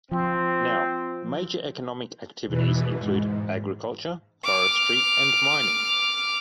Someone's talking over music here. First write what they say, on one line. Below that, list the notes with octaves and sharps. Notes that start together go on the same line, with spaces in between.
Now, major economic activities include agriculture, forestry, and mining.
F3 C4
E2 B2 E3
G#2
D6 F6